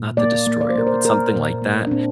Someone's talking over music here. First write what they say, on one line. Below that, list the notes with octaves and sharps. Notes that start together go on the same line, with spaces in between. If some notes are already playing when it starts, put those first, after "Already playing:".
not the destroyer but something like that.
Already playing: A#2
A#3 D5
A#3
D5
C5
A#3 A#4
C5
A#3 A#4
A#2
A#3
D4
A#2 C4